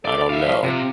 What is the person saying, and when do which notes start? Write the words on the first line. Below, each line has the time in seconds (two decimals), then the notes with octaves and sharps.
I don't know,
0.05 A4 D5
0.29 E4 E5 F5
0.43 F3
0.63 C3 F4